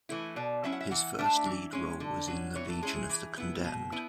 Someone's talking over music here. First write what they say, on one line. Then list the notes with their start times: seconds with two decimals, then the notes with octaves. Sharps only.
His first lead role was in "The Legion of the Condemned".
0.09 E3 A3 E4
0.36 B2 D5
0.64 F#3 C#4 E4 E5
0.72 F#5
0.81 E5
0.91 E3 F#5
1.19 A3 D4 E5
1.46 E3
1.73 G#3 C#4
2.00 D3
2.28 F#3 C#4
2.55 E3 C#5
2.68 A4
2.83 G#3 C#4 E4 G#4
2.96 G#4
3.09 E3
3.38 B3 E4
3.64 B2
3.92 B3 E4